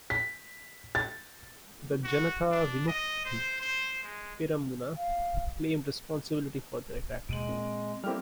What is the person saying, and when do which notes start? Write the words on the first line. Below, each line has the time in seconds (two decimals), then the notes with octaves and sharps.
The Janatha Vimukthi Peramuna claimed responsibility for the attack.
0.10 B6
0.95 A6
2.04 F#4
2.51 D4
2.87 D#5
3.25 C5
3.60 C5
4.03 G#3
4.97 F5
7.29 D#2 B2 G#3 D7 D#7 F#7
7.49 A#2 C4
8.04 G3 A#3 C4 E4 G4 F6